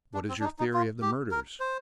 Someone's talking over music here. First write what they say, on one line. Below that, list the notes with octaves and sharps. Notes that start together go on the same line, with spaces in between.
"What is your theory of the murders?"
D4
C4
D4
D#4
D#4
F4
G4
A#4
C5